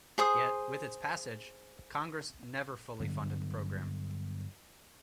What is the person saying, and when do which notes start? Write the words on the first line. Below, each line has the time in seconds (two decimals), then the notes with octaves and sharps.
Yet with its passage, Congress never fully funded the program.
0.18 G#4 C5 D#6
3.00 G2 D3 F#3 B3